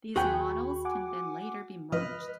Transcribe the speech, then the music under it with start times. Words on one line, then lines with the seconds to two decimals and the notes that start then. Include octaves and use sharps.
These models can then later be merged.
0.16 D#2 F#4 G#4 G5 B5 C#6
0.85 F#5 G#5 D6
1.92 B4 D#5 F6